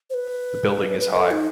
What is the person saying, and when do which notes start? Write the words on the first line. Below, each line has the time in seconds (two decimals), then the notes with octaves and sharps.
The building is high.
0.10 C5
0.14 B4
1.00 B4
1.16 A4
1.31 D#4